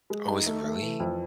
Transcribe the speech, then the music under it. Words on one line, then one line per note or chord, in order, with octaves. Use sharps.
Oh, is it really?
G#3
D#4
A3
A3
E3
F2